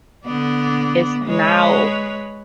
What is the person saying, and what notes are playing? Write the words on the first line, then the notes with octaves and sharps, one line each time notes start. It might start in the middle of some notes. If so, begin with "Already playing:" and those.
it's now
D3 B3 D5
G#3 B4 C#5